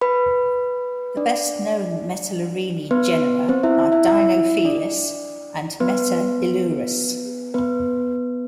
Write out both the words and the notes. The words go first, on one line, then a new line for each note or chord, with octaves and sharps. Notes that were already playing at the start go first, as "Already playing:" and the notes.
The best known Metalurini genera are "Dinofelis" and "Metailurus".
B4 B5
D4 D5
B3 B4
C4 C5
E4 E5
E4 E5
E4 E5
D4 D5
B3 B4
B3 B4